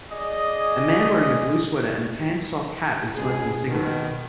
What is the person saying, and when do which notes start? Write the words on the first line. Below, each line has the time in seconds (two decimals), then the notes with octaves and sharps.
A man wearing a blue sweater and a tan sock hat is smoking a cigarette.
0.11 G#4 D5 D#5
3.15 C#2 B2 G#4
3.68 B2 D#3